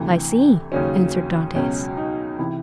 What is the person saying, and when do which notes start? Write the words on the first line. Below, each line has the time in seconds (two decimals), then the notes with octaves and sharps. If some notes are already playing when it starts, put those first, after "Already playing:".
"I see," answered Dantes.
Already playing: D2 C3 E3
0.72 D#2 C#3 F#3 C#4
1.55 C#2 B2 F#3 C#4
1.97 D#4
2.39 C3 E3 E4